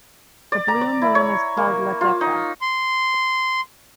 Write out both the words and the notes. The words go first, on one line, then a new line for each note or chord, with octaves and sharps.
The Blue Moon is called Ladeca.
D5
A#5
D5
E4
C#5
A#3
F4
D#4
C6